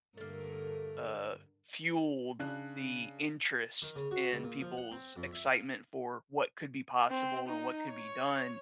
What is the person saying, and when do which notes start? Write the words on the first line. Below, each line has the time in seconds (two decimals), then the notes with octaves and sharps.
uh, fueled the interest in people's excitement for what could be possible and what could be done,
0.17 G2 D3 A3 A#3 A#4
2.39 C#3 D4 F#6
3.82 D#3
3.96 C#3
4.11 F#4
4.31 C#2
4.43 A#2
4.61 F3
4.77 F#5
4.91 C4
5.16 F2
5.33 E5
5.46 F5
7.10 C4
7.48 D#4
7.90 C#5